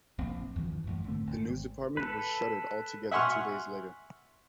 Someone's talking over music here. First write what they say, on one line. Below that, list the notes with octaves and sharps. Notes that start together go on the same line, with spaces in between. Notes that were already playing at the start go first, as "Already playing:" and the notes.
The news department was shuttered altogether two days later.
F1 A#1 C4
E2 G2 D#3 F3
A1 F#2
G#2 D3 A3 C4
G#1
A4 B4
E5 F#5 G#5 C6 C#6 F6